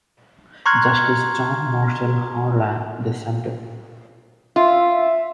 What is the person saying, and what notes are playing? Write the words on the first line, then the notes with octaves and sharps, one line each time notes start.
Justice John Marshall Harlan dissented.
A#5 C6 C#6 F6 F#6 G#6
F4 E5